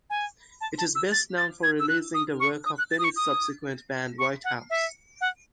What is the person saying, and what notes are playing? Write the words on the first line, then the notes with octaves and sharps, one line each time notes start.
It is best known for releasing the work of Bennett's subsequent band, Whitehouse.
G#5
A5
A5
E6
A6
A6
G#6
E6
F#6
D#6
C#6
D#6
F#6
A6
D#6
C#6
D#6
C#6
F#5
E5
F#5